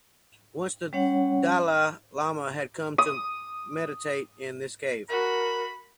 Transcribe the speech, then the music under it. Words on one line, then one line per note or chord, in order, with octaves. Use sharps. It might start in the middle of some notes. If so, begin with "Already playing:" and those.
Once the Dalai Lama had come to meditate in this cave.
G3 C#4 C#5 F#5
D#6
F#4 A#4 B5